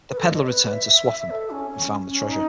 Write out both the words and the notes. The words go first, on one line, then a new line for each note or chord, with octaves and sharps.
The pedlar returned to Swaffham, and found the treasure.
B4
A4
D#5
C#5
B4
E5
E5
E5
A4
C#4
C#4
C#4
D#4